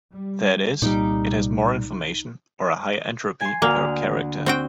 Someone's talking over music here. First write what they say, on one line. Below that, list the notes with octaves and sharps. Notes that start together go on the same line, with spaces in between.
That is, it has more information, or a higher entropy, per character.
G3
C2 A#2 G3 D#4 D6
G#5 C6
D2 D3 A#3 F6
C4 F#4 G5